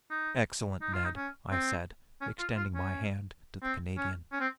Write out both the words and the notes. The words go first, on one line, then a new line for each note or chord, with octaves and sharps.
"Excellent, Ned," I said, extending my hand to the Canadian.
D#4
D#4
F4
D#4
C#4
C4
C#4
F4
F4
C#4
C4
C#4
C#4
C4